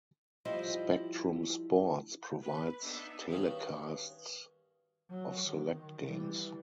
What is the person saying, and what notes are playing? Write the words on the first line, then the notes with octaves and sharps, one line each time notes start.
Spectrum Sports provides telecasts of select games.
F3 G3 E4 C5 D#5 F5
B4
B3 D4 D#4 E5
G2 D#3 B3 C#4 F#4
F#3
D#3
E3 G3